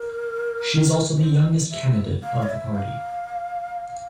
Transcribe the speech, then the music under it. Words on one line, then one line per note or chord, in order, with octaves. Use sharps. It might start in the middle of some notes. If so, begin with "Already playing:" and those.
She is also the youngest candidate of the party.
Already playing: A#4
C5
E5
F5
C#5
E5
F5